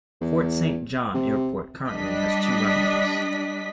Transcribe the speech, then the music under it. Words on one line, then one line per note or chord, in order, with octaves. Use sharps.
Fort Saint John Airport currently has two runways.
E2
C3
G3 D4 D#5 B6